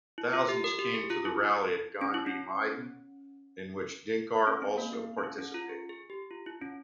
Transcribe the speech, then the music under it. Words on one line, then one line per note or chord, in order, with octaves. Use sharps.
Thousands came to the rally at Gandhi Maidan in which Dinkar also participated.
E4
F4
G4
A#4
G4
G#4
F4
E4
C#4
E4
C#4
C#4
C4
A#3
C4
C#4
E4
C#4
F4
G#4
G#4
G4
F4
E4
C#4